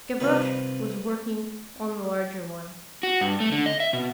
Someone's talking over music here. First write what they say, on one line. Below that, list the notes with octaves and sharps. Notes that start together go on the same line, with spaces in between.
Gavroche was working on the larger one.
C3 D#3 G3 C4 F4 B4 C#5 D#5
F#4
G2
A3
D3
D#5
E5
B2